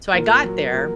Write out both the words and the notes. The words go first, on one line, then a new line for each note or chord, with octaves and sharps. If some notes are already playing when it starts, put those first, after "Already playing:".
So I got there,
A#2 A#4
F#3
A#2 A#4